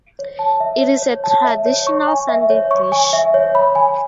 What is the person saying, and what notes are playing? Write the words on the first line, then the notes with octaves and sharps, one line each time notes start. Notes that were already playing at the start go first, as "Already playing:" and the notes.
It is a traditional Sunday dish.
C#5
A5
E5
C#5
C#5
A5
E5
C#5
C#6
G#5
E5
C#5
C#6
G#5
E5
C#5
B5
G#5